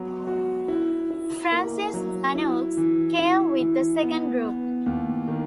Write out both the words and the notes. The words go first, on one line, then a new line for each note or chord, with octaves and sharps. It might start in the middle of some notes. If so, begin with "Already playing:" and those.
Francis Janeaux came with the second group.
Already playing: F#3 B3 F#4
F#4
E4
E4
A#3
F#3
E4
E3
E4
E3
B3
B3
D#2
D#3